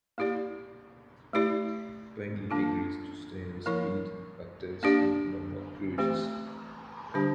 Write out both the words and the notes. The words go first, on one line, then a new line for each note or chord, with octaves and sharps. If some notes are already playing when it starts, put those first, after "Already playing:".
Peggy agrees to stay with Pete but tells him no more cruises.
A#3 E4 G4 D5
A3 E4 G4 D5
E3 A#3 D4 F4 A4
F3 A#3 E4 A#4
A#3 D4 G4 D5
E3 A3 C4 G4
D3 G3 D4 G4 C5